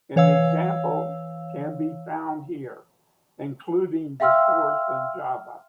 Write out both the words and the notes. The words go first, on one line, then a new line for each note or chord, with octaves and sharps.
An example can be found here, including the source in Java.
E3 C#5 F5 E6
E5 F5 G5 C6 E6 F6